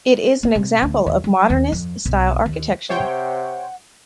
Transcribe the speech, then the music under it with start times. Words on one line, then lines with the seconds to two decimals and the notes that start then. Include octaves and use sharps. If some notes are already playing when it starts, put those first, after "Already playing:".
It is an example of modernist style architecture.
0.43 A#3
0.55 C3
0.82 D2
1.06 D#2
1.24 F#3
1.50 D#2
1.72 F2
2.06 B1
2.46 D#2
2.89 C3 C5 C#5 F#5 G5